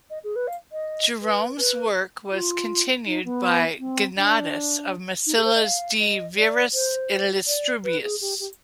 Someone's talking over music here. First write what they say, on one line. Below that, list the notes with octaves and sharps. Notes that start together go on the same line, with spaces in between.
Jerome's work was continued by Gennadius of Massilia's "De Viris Illustribus".
D#5
G#4
B4
F5
D#5
B4
B4
F4
D#4
B3
C4
D4
D#4
G#4
C5
D#5
F5
D#5
D5
C5
D5
B4
G#4
G4
G4